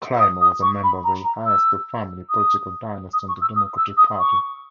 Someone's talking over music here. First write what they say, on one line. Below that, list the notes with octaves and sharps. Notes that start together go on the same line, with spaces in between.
Clymer was a member of the Hiester family political dynasty and the Democratic Party.
D#6
D#6
C#6
B5
A#5
A#5
E6
D#6
D#6
C#6
E6
D#6
E6
D#6
C#6